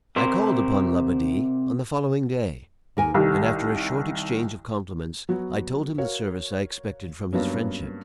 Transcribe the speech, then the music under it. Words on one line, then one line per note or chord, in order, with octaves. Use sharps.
I called upon L'Abbadie on the following day, and after a short exchange of compliments I told him the service I expected from his friendship.
C3 A#4 C5
D#2 A#4 G#5
C2 D#3 G4
F#3 B3 F#4
F#4 A#4 C#5 F5
G2 F#3 A#3 B3 C#4